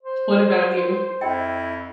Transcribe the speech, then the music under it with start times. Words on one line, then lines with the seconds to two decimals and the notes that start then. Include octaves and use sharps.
What about you?
0.03 C5
1.21 F2 E4 D#5 G5